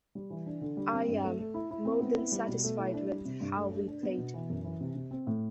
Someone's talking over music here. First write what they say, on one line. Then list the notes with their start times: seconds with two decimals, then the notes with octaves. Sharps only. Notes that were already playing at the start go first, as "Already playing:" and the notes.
I am more than satisfied with how we played.
0.15 G3
0.30 E3
0.46 D4
0.61 D3
0.77 G3
0.93 C4
1.08 G2
1.24 A3
1.39 A3
1.54 E4
1.71 E4
1.85 C4
2.01 B3
2.16 E4
2.32 G3
2.48 B2
2.63 A3
2.78 E4
2.94 D4
3.10 G3
3.25 C3
3.41 G2
3.56 A3
3.72 D4
3.88 D4
4.03 B3
4.18 B2
4.34 E3
4.50 F#2
4.64 E3
4.81 C3
4.95 C3
5.11 C4
5.27 A2